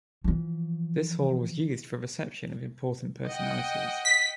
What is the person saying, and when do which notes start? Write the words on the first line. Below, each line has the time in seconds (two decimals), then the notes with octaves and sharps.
This hall was used for reception of important personalities.
0.24 E3 F3
3.28 D#5 F#5 G5
4.05 B6